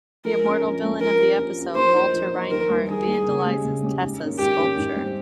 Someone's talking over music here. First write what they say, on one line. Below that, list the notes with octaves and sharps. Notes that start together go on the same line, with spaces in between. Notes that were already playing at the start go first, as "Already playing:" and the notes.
The Immortal villain of the episode, Walter Reinhardt, vandalized Tessa's sculpture.
F3 A#4
G#3 C#4
F3
G#3 C#4
F3 A#4
A#3 C#4 G4
F3
A#3 C#4 G4
F3 C5
A#3 D#4
F3
A#3 D#4
D#3 A#4
G3 A#3 D#4
D#3 G#4
G3 A#3 D#4
C#3
G#3 C#4 G4
C#3
G#3 C#4 G4
G#2
D#3 A#3 C#4
G#2 G4
D#3 A#3 C#4
G#2
G3 C4 G4